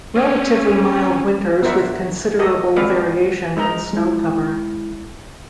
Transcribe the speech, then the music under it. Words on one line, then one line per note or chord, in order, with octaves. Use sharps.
Relatively mild winters with considerable variation in snow cover.
C4 C#4
B3 D4 A#4 C5 E5 F#5
F#4 A4 A#4 D#5
G#3 C4 F#4 B4 D5 F5
G#3 D#4 A#4 A#5
G#3 E4